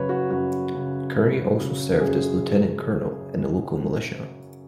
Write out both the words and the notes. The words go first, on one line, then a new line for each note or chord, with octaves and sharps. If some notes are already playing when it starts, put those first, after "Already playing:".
Currie also served as Lieutenant-Colonel in the local militia.
Already playing: F#2 C#3 F#3 B4 C#5
F#4
F#2 F#4
C#3 F#3
F#2
C#3 F#3
F#2 G#4